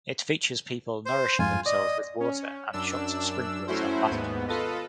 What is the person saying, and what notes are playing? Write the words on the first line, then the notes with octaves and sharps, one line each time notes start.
It features people nourishing themselves with water and shots of sprinklers and bath tubs.
C5
F2 G#2 F4 G#5
D5 D#5
C#4
F#2 D4 E6
F#3 A3 C#4 E4 F#4 C5
D#2 G#2 B3
F4 A4 B4 D#5